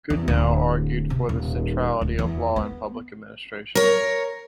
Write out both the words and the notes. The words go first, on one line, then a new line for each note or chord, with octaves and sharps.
Goodnow argued for the centrality of law in public administration.
E2
D1
C3
D#1
D1
E2
B3
A#4 C#5